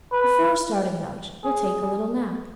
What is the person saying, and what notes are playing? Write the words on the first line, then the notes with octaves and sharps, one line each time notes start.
Before starting out, we'll take a little nap.
B4
G#4